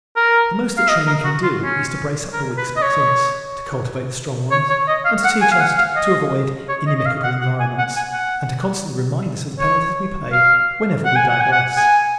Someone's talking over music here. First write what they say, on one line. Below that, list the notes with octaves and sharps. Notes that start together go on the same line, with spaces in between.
The most that training can do is to brace up the weak spots in us; to cultivate the strong ones; to teach us to avoid inimical environments; and to constantly remind us of the penalties we pay whenever we digress.
A#4
F5
D#5
A#4
F#4
F4
C#4
A#4
B4
D#5
C#5
C#5
C#5
D#5
F5
F#5
G#5
F5
F#5
F5
D#5
C#5
D#5
D#5
F5
F#5
F#5
G#5
F#5
G#5
F#5
C#5
F5
F#5
G#5
F#5
G#5
F#5
G#5